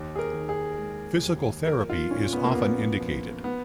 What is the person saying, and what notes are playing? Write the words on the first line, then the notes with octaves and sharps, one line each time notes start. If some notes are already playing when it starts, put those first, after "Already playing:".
Physical therapy is often indicated.
Already playing: D#2
G#4
A#4
D#3
G#4
G#3
D#2
F3 A#4
F4
A#2 C#4
B3
A#3
A#1 B3
F3
B3